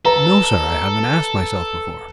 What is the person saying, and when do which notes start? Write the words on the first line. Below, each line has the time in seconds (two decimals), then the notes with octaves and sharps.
"No, sir, I haven't asked myself before."
0.05 A4 B4 A#5